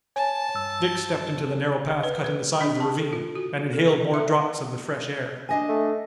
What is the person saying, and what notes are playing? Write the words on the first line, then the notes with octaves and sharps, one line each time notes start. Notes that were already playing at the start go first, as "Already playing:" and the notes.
Dick stepped into the narrow path cut in the side of the ravine and inhaled more draughts of the fresh air.
C#5 G#5 A5
G2 E6
B4
B4
D4
A5
A4
F4
F#4
A4
G#4
E5
D4 D#5 G#5
A3